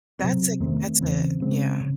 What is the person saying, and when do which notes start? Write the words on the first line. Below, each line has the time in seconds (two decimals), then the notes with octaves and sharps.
that's it, that's it, yeah.
0.19 C3 F#3 C4
0.60 E2 D#3 A3 C4
1.00 C#3 E3 C4
1.40 C#3 G#3 C4
1.81 C#3